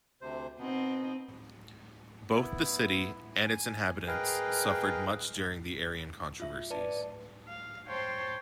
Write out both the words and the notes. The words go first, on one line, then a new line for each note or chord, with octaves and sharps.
Both the city and its inhabitants suffered much during the Arian controversies.
D2 C3 C5
B2 B3 C4 D#4
B3 E4
G#5
G#4 A#4 B4 D#5 F5 G5
F4 E5
B4 D5 A5
F5
C5 C#5 G5 A5 C6